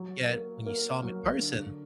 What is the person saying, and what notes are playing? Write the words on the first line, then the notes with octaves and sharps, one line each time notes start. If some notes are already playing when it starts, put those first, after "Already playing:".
Yet when you saw him in person,
Already playing: F#3
A#3
A#3
F#3
D3